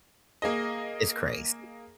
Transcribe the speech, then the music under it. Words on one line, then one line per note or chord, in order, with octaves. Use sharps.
it's crazy.
A#3 G#4 D#5